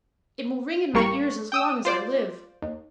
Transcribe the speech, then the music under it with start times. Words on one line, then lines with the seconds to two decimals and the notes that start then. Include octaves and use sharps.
It will ring in my ears as long as I live.
0.94 A1 G3 A#3 C#6
1.52 G5 D#6 E6
1.85 F4 C5 D5
2.62 D#2